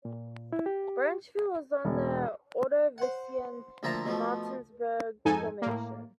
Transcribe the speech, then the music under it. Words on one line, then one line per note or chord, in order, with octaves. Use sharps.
Branchville is on the Ordovician Martinsburg Formation.
A#2
E4
G4
E1
C5 F#5
D2 F3 A#3 E5 A5 A#5
B2 F3 A3
F2 G#2 D#4 A4 G#5
A2 A#3